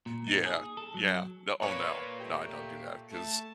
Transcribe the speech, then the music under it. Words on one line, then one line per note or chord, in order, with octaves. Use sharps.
Yeah, yeah, no oh, no, no, I don't do that, 'cause
A#2
D#4
G#4
A4
F#3
A#2 A#3 B4 C#5
A3 G4
A3 A5